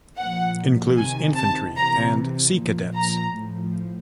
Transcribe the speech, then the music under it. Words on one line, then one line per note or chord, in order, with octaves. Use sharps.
Includes Infantry and Sea Cadets.
A#2 F3 F#5
C3 D#3 G#5
A5
C3 E3 A#5
A#2 F3
A#5
A2 F3